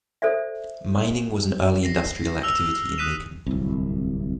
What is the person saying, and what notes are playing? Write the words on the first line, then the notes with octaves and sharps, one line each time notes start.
Mining was an early industrial activity in Macomb.
A4 C5 D5 E5
A#6 C7
E6 F6 F7
D#6 F#6 B6 D#7 E7
D1 C2